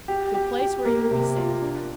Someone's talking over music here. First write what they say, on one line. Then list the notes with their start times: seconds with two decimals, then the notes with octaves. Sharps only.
"To a place where you will be safe."
0.08 G4
0.34 G4
0.60 G4
0.85 A#3
1.11 C3
1.37 F4
1.62 D4